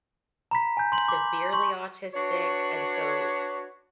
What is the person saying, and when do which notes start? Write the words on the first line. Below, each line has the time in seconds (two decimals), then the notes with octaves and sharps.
severely autistic, and so,
0.51 A#5 B5 B6
0.77 G#5 G6
0.92 C6 F#7
1.08 D6
1.53 C6 C#6 F#7
2.14 D4 F#4 B4 C#5